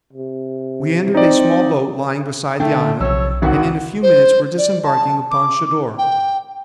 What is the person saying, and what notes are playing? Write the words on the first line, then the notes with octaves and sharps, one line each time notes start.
We entered a small boat lying beside the island, and in a few minutes were disembarking upon Shador.
C3
C4 D#4 D5
D3 A3 C#4 D4 G5
B1 C3 F3 C#5 E6
G#1 C#2 D#3 E3 F#4 F#5
C5
D5
A5
D6
G5